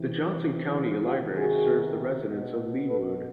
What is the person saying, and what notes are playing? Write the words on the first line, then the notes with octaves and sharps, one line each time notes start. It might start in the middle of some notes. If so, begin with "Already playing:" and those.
The Johnson County Library serves the residents of Leawood.
Already playing: C3 E3
C3 D#3 F4 G4
F#4 G#4
B2
A4 B4